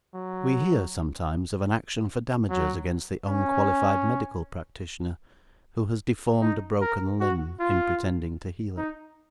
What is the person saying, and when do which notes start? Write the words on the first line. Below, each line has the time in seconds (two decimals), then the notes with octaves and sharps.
We hear sometimes of an action for damages against the unqualified medical practitioner, who has deformed a broken limb in pretending to heal it.
0.15 F#3
2.50 F#3
3.28 C#4
6.42 D#4
6.82 A#4
7.20 F#4
7.60 F4
8.77 D#4